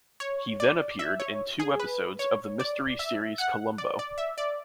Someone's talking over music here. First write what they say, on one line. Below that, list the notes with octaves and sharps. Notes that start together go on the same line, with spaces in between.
He then appeared in two episodes of the mystery series "Columbo".
C#5
D5
E5
C#5
G#4
B4
C#5
D5
E5
F#5
D5
D5
E5
D5